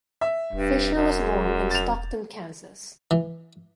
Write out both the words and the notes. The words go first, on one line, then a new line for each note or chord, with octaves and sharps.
Fisher was born in Stockton, Kansas.
E5
E1 G2
F#2
G#3
A6 F7
E3